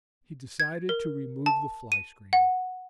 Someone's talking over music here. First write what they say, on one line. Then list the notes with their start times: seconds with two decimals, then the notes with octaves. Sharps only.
He decided to remove the fly-screening.
0.60 G#6
0.89 A#4
1.46 A5
1.92 D#7
2.33 F#5